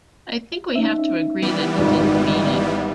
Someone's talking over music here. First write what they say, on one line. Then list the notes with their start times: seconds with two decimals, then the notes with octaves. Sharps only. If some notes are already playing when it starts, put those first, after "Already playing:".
I think we have to agree that he didn't mean it.
0.76 C#4 D#4 E5
1.42 E3 G3 B3
1.78 G#1 F4
2.15 D#5 E5